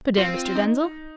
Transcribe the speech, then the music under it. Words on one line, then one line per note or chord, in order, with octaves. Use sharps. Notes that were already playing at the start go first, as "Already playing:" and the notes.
Good-day, Mr. Denzil.
C4 F4
D#4